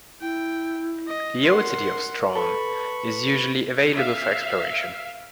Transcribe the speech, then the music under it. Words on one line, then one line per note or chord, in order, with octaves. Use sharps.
The old city of Strawn is usually available for exploration.
E4 G5
D#5
A#4 F#5 C6
A4 B4 B5 C#6
E5 F5